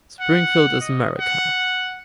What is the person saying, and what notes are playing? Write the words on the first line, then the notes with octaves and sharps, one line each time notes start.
Springfield is America.
F#5
D#5
F#5